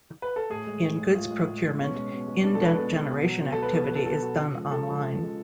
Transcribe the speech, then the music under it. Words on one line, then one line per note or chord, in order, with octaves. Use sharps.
In goods procurement, indent generation activity is done online.
B4
A4
A2 G#4
G#3
A2
G#3
A2 F4
G#3
A2
G#3
B2 C#4
G#3
B2
G#3
B2 D4
A4
G#3 B4
B2 A4
G#3
B2
F#3
B2
A4
F#3
B4
B2 A4
B4
F#3 A4
B2 A4
F#3
C#3
F3 G#3
C#3 A4
F3 G#3
C#3
F3 G#3